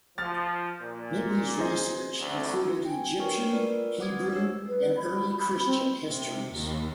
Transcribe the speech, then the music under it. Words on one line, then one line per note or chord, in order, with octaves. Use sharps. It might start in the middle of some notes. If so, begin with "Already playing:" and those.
Nibley's research included Egyptian, Hebrew, and early Christian histories.
F3 F6 A6
A#2
G#4 C5 D#5
D2
G5 G#5
D4 A#4 B4 C#5 G5 C#6
F4 A#4 B4 D5
B4 C5 F#5 D6 D#6 G#6
D4 C#5 E6 C7
B4
B5
B5
C4
C3
D#2